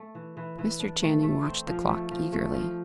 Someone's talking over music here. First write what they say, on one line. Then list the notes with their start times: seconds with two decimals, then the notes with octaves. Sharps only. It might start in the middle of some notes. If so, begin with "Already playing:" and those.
Mr. Channing watched the clock eagerly.
Already playing: A3
0.15 E3
0.37 E3
0.58 E3
0.80 D4
1.02 A3
1.23 A3
1.45 C4
1.67 F3
1.89 A3
2.11 F3
2.32 A3
2.54 F3